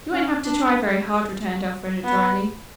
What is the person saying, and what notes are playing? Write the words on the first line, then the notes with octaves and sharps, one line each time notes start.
"You won't have to try very hard," returned Elfreda dryly.
C#4
D4
B3